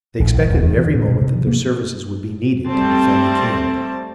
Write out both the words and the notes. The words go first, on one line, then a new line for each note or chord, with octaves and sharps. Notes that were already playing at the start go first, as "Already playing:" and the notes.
They expected at every moment that their services would be needed to defend the camp.
A1
A#1
D#1
E2
E3
A2
B2
C3
F3
A#3
G3 A3 C4 A5